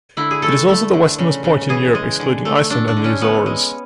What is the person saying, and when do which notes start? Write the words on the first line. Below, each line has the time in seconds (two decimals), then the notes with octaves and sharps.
It is also the westernmost point in Europe excluding Iceland and the Azores.
0.17 D3 E4
0.31 G#4
0.42 A3 A4
0.68 A3
0.93 D3
1.19 C#3
1.44 C#3
1.69 E3 G#4
1.95 G#3
2.20 D3
2.45 A3
2.70 A3 D4
2.88 D4
2.97 D3
3.04 C#4
3.21 A2 B3
3.46 G#3